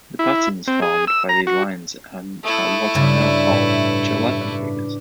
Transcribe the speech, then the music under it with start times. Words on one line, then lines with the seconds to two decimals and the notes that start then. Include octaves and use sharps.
The patterns formed by these lines are what are now called "Chladni figures".
0.19 E4
0.67 C4
0.82 G#4
1.07 E6
1.29 A#5
1.47 F#4
2.43 A3 E4 A5 D#6 E6
2.95 G2 C#3
3.47 A2 B4 E5
4.41 D4 B4 D5